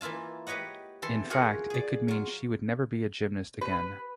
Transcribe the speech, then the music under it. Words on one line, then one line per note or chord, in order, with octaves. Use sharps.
In fact it could mean she would never be a gymnast again.
E3 A#3 E4 F4 A5
G4 B4 C#5 D#5 F#5
E3 A4 C6
F4 F#4 G#4 A#4 F#5
G#4 D5
F#3 F4
B4